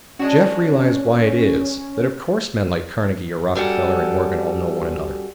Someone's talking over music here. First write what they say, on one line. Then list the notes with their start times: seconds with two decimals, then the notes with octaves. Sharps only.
Jeff realized why it is that of course men like Carnegie or Rockefeller and Morgan all know one another.
0.19 G#3 C#4 D4 F#4
3.55 F#2 G3 A4 F#5